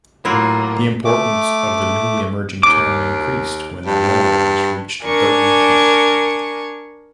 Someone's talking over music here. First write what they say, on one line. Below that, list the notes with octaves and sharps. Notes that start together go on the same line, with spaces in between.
The importance of the newly emerging town increased when the railways reached Burry Port.
A2 F#3 A#3 E4 F4
A3 D6
D#2 D6
G2
D4 A#4 G#5 C#6